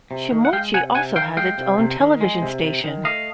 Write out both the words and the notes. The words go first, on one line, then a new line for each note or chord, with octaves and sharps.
Shimoichi also has its own television station.
C3
D#3
F#5
G#3 F5 G5
C3 F#5 G#5
C3 F#5 G#5
D#3 F5 G5
G#3 F5 G5
C3
C3
D#3
G#3
C3
C3
D#3
A3 D#5 F5